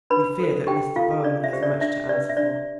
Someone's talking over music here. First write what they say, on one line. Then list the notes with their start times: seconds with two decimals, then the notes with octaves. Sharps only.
We fear that Mr. Bohn has much to answer for.
0.10 D4 B4 B5
0.40 A4 C5
0.67 D4 G4 G5
0.96 F4 A4 F5
1.24 D4 D5
1.44 E5
1.53 G4 C5
1.63 D5
1.81 D4 E5
2.09 G4 B4 D5
2.29 E5
2.37 D4 D5